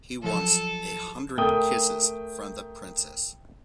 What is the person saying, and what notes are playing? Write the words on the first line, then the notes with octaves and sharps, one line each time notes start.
He wants a hundred kisses from the princess.
F3 F#3 A4 G#6
A3 A#4 G5 D#6 G7